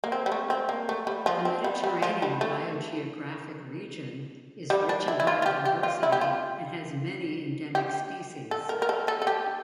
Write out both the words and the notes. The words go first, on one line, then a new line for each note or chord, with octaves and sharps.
The Mediterranean Biogeographic Region is rich in biodiversity and has many endemic species.
A#3
C4
G3
A3
C4
A#3
A3
G3
F3
C4
G3
G3
F3
G3
A3
G3
D4
E4
E4
F4
F4
G4
G4
F4
E4
G4
F4
G4
A4
A#4
A#4
A4
A4
A4
G4